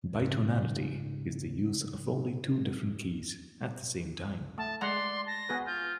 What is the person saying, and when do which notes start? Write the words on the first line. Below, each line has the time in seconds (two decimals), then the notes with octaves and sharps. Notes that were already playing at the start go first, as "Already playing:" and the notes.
Bitonality is the use of only two different keys at the same time.
0.21 G#2 C#3
4.58 A3 A5
4.81 G#3 D5 F#5 A#5 C6
5.27 A5 A#6
5.49 B3 F#4 G#4 B4
5.66 F4 G6